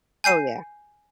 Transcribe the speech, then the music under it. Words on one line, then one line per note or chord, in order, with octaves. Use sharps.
Oh, yeah.
G#5 G6 C7 D#7